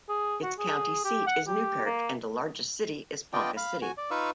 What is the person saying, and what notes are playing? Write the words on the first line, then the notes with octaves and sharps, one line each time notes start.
Its county seat is Newkirk, and the largest city is Ponca City.
G#4
F#4
G#4
G4
F#5
G4
A#3
B3 D4 F4 D5 D#5 G5
F5 B5
F#4 G#5
D5
D#4 F4 B4 F5 C#6 E6